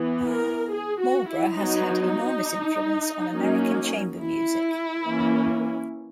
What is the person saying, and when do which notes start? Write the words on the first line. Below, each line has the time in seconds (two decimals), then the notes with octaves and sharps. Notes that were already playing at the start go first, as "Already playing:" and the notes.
Marlboro has had enormous influence on American chamber music.
Already playing: E3 B3
0.28 A#4
0.72 G#4
1.01 F#4
1.30 E4
1.58 F#3 B3 D#4
3.32 F#3 A#3 C#4
4.18 E4
5.05 E3 A#3 C#4